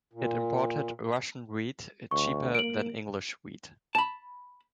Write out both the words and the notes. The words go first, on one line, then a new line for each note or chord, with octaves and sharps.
It imported Russian wheat, cheaper than English wheat.
A#2
D2 C#6
A#3 D7 F#7
A5 B5